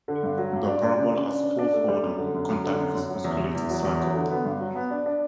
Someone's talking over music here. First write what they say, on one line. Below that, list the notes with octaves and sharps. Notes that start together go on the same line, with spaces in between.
The parabola has fourth order contact with its osculating circle there.
D3
G2
F#3
G2
D4
D4
C#3
C#3
D4
D4
D4
A3
G3
F#2
D3
F#2
F#2
D3
F#2
F#2
F#3
E2
E2
E2
F#3
E2
F#3
D3
B3
G2
F#3
B3
D4
D4